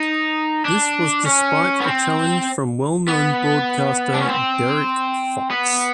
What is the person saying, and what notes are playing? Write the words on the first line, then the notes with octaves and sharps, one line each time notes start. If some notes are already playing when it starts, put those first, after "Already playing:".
This was despite a challenge from well-known broadcaster Derek Fox.
Already playing: D#4
D4
C#4
B3
C4
B3
D4
C#4
C4
B3